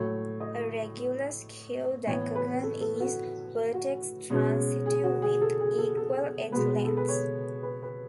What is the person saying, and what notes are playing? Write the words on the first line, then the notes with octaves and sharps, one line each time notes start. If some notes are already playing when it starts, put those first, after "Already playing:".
A regular skew decagon is vertex-transitive with equal edge lengths.
Already playing: A2 F#3 A3 C#5
D#5
A2 E3 B3 C#5
B4
A4
A4
F#4
F#4
B2 G#3 C#4
G#4
F#4
G#4
A4
G#4
A4
A4
B2 G#3 B3 B4
A4
B4
C#5
B4
B4